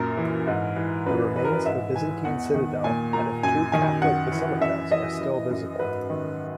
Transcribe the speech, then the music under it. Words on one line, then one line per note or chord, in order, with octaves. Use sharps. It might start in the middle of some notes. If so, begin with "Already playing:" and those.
The remains of a Byzantine citadel and of two Catholic basilicas are still visible.
Already playing: F#2 A#2 A#4
E3
G#2
E3
F#2 B4
E3 B4
A#4
B4
G#2 E5
E3 G#5
E2 F#5
D#3
A#2 G#5
A#2 A#5
F#2 G#5
D#3 G#5
F#2 F#5
E3
F#2 E5
E3 D#5
E3
F#2
G#2 B4
D#3